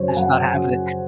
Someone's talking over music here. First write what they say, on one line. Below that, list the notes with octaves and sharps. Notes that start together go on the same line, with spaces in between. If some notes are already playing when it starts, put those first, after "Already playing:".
Just not having it.
Already playing: F#2 C#3 F#3 C5 C#5
G#5
F#2 F#5
C#3 F#3